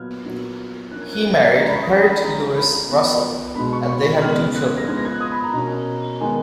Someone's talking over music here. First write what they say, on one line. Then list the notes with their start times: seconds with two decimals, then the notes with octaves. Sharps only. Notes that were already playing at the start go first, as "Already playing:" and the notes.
He married Harriett Louise Russell and they had two children.
Already playing: A#2 F#3 B3 F6 G#6
0.26 A#2 F#3 B3
0.91 F3 A#3 C#4 F#6
1.02 G#6
1.13 F#6
1.57 F3 G#3 C#4 A#5
1.67 B5
1.76 C#6
1.83 D#6
1.91 F6
2.02 D#6
2.12 B5
2.23 F3 G#3 C#4 A#5
2.56 B5
2.89 F3 B3
3.56 B2 G#3 B3 B5
3.73 C#6
3.89 C#6
4.22 C#3 G#3 B3 F6
4.55 F#6
4.66 G#6
4.77 A#6
4.88 F3 G#3 B3 G#6
4.97 A#6
5.05 G#6
5.13 F#6
5.21 D#6
5.32 B5
5.44 A#5
5.53 B2 A#3 C#4
6.21 D#3 G#3 B3 G#5